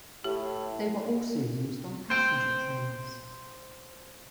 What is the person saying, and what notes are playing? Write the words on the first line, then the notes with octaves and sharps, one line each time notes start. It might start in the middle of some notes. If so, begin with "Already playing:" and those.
They were also used on passenger trains.
A2 G4
C5 G5